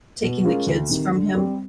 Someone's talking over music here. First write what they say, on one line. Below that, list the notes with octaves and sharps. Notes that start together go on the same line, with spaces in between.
taking the kids from him.
B2
G#3 C#4 F4 A#4
D2
C3 D#3
D3
G3 C4